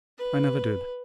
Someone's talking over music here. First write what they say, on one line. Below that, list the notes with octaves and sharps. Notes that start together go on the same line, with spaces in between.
"I never did."
B4